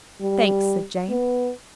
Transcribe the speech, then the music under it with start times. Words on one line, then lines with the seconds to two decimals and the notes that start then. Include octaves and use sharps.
"Thanks," said Jane.
0.21 G3
1.09 B3